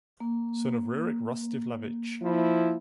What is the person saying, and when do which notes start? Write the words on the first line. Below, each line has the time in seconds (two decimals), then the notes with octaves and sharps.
Son of Rurik Rostislavich.
0.20 A#3
2.22 F3 E4